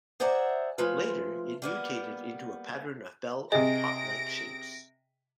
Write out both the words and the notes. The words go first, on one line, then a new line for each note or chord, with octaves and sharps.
Later it mutated into a pattern of bell or pot-like shapes.
G#4 C5 D5 E5 F#5 A#5
F3 G#3 A3 F4 B4
G3 A#3 B3
C3 G#4 D#5 A#6 D7